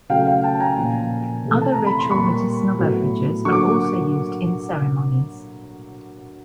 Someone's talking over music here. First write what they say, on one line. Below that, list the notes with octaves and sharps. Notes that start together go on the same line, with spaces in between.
Other ritual medicinal beverages are also used in the ceremonies.
C#3 F#3 A3 F5 G5
F5 G5
G5 A5
G#5 A#5
A#2 F3 A#3
C3 E3 A3
A5
A#5
B5
C6
A#2 G3 A#3 B5 C#6
A2 F#3 B3
D3 F#3 A#3 C#6
D6